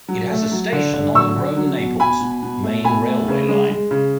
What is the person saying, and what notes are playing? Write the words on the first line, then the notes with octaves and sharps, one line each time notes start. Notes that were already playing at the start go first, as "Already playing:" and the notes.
It has a station on the Rome-Naples main railway line.
F#3
A3
F#3
D3
D3
F#3 C#6 E6
D3
F#3
B2
B2 G#5 B5
B2
B2
A3
B2 G#5 B5
A3
C#3
G#3
G#3
C#3